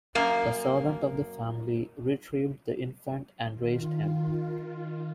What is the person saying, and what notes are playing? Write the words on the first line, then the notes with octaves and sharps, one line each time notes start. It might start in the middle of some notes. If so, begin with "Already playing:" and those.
A servant of the family retrieved the infant and raised him.
F#2 A#3
D#3 F4